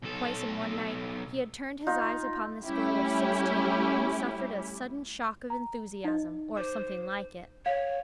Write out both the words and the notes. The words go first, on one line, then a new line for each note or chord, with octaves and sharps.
Twice, in one night, he had turned his eyes upon this girl of sixteen, and suffered a sudden shock of enthusiasm, or something like it.
B1 A4
D#4 F4
G3 A3 C#4 E4 G4
A#5
D#4 D#5
C5 D6
C#5 F5